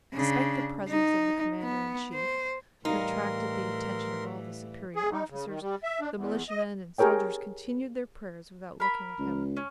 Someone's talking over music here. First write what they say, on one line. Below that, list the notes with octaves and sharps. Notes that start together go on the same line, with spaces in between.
Despite the presence of the commander-in-chief, who attracted the attention of all the superior officers, the militiamen and soldiers continued their prayers without looking at him.
C#3 D4
D#4
B3
C5
A2 E3 G3 D#4 A#4 F5 C6
G#4
D#4
C#3
D#3
G3
E5
D4
E2
D#5
G4 G#4 A#4 C#5 G5
A#4 B5
C#2
C#4